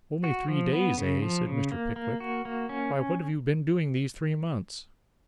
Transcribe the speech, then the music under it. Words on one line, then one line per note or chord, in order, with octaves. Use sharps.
'Only three days, eh?' said Mr. Pickwick. 'Why, what have you been doing these three months?'
F#4
F3
B3
C#3
F3
C#3
A#3
A#3
F#4
A#3
C#4